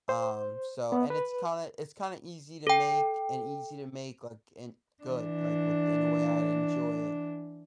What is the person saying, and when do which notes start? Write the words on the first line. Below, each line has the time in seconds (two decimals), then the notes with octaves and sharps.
Um, so, and it's kinda it's kinda easy to make and easy to make, like, and good, like, within in a way I'd enjoy it.
0.09 C5
0.92 B3
1.10 B4
2.67 A4 G5
5.03 E3 D4